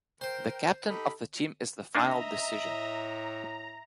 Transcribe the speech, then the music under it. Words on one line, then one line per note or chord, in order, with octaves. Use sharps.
The captain of the team is the final decision.
A#4 C5 G5
D#4 G4 A4 B5
A#3 D4 D#4 D#5 E5 A#5
A2